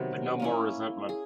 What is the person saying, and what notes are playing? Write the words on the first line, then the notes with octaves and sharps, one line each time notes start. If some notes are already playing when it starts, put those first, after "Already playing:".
But no more resentment.
Already playing: C3 D#3 F#3 B3
A#3 C#4 E4
G#4